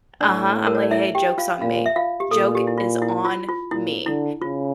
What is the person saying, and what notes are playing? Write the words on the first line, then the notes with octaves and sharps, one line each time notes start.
Uh-huh, I'm like, "Hey, joke's on me, joke is on me"
A2 D4 D5
A#4
C#5
D5
E4 E5
G4 G5
F4 F5
A#2 F4 F5
E5
F4 F5
G4
A#2 A4
G4
E4
F4
E4
F4
F4
A#2 E4
D3 E4
C#3 F4